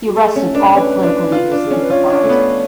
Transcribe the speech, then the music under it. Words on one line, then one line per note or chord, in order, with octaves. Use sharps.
He arrested all political leaders that he could find.
F#4
A3 G#4
C#4
A4
D4 B4
A4
C#4 B4
D4
F4
D4
G#4
C#4 A4
B4
F4 C#5
D4
A3
B3